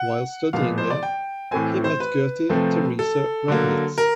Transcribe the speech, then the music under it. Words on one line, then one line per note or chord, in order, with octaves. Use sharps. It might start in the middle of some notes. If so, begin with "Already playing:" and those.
While studying there he met Gerty Theresa Radnitz.
Already playing: F#5
A#2 F3 G#3 B3 F5
C5
D5
G5
A2 E3 A3 C4 G#5
C5
B4
C3 F3 A3 C4
A4
D3 F#3 A#3
A#4